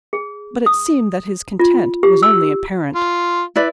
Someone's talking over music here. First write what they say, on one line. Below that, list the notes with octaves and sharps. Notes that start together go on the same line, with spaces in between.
But it seemed that his content was only apparent.
G#4
D#6
F4
G4
E6
F4
E4 B4 D5